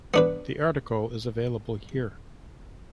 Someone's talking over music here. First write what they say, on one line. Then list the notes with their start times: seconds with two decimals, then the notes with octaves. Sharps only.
The article is available here.
0.14 B3 D4 B4